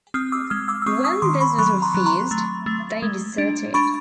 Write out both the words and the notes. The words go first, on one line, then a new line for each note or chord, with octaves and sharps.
When this was refused, they deserted.
C4 D#6 F6
D6 E6
G#3 D#6 F6
D6 E6
E6
C4 C#6 D#6
C#6 D#6
D#3 C6 D6
B5 C#6
F#3 B5 C#6
A#5 C6
F#3
A#5 C6
A3
A3
G#3
D4
D4 B5 C#6